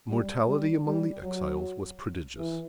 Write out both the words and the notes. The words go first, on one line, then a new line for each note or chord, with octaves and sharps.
The mortality among the exiles was prodigious.
G3
G3
G3
F#3
E3